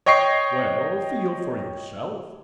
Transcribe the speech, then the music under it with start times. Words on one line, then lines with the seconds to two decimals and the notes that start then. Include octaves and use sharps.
"Well, feel for yourself."
0.06 C#5 D#5 G5 C#6 C7